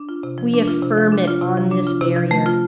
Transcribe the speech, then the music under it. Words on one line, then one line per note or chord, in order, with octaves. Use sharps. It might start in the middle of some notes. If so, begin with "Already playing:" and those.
We affirm it on this barrier.
Already playing: D4
F4
C3
F3
D4
F4
C3
F3
D4
F4
C3
F3
D4
F4
C3
F3
A3
F4